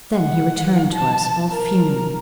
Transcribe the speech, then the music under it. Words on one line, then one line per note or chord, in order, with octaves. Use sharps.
Then he returned to us, all fuming.
F#5
A5
A#4